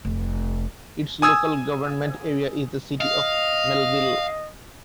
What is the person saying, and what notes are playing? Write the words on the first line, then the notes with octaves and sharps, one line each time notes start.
Its local government area is the City of Melville.
F1
G#5 D#6 E6 G#6
D#5 F5